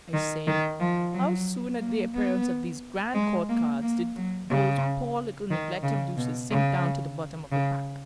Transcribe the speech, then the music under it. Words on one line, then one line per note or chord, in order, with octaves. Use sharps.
I say, how soon at the appearance of these grand court cards, did those poor little neglected deuces sink down to the bottom of the pack.
D#3
D#3
F3
F#3
A#3
B3
G#3
A#3
A#3
F#3
C#3
D#3
C#3
B2
C#3
C#3